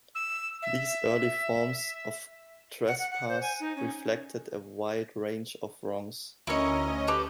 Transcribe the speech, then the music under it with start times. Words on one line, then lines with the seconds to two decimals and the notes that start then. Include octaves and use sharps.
These early forms of trespass reflected a wide range of wrongs.
0.15 E6
0.62 E5
2.87 F#5
2.99 F#5
3.11 F#5
3.29 C5
3.42 G#5
3.60 D#4
3.76 C#4
6.47 D2 C#4 E4 A#4 C#5 D#5
7.07 G4 A4 B4